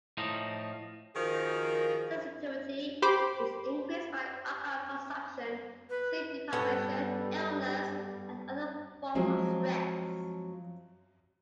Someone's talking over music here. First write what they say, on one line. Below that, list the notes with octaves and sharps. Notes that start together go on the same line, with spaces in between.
Sensitivity is increased by alcohol consumption, sleep deprivation, illness, and other forms of stress.
A2 F3 D#4
D#3 F3 F#4 G#4 A#4
G4 C5 B5 D6
B4
G2 G3 B3 A4
F3 F#3 G#3 C4